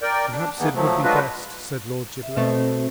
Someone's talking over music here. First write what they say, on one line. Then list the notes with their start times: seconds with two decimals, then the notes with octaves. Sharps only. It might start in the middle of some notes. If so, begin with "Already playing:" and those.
"Perhaps it would be best," said Lord Giblet.
0.02 A#4 D5 G5
0.32 D4
0.59 D#3 E3 G#3 A#3 B3
0.74 F3 F#3 A3
1.03 F#3 G#3 D4 F4 F#4 B4
2.23 E5
2.37 B2 A3 C4 C5